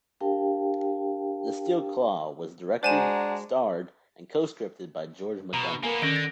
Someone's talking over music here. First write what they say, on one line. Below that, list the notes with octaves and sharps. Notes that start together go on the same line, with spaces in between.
"The Steel Claw" was directed, starred and co-scripted by George Montgomery.
D4 G4 A#4 F5 G5 A5
G#3 D4 F#4 C5 F#5 G#5 A#5 E7
B2 A#5
A#3 B3 A#4 G#5
D3 D#3 C#4 G6 A#6 D7
A6